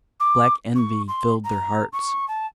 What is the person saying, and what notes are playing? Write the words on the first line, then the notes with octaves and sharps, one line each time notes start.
Black envy filled their hearts.
D6
C#6
C6
A#5
C#6
A5